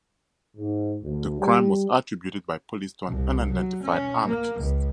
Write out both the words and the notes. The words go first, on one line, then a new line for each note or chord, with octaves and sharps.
The crime was attributed by police to an unidentified anarchist.
G#2
D2
G3
C2
F#3
C#4
A#3
C#2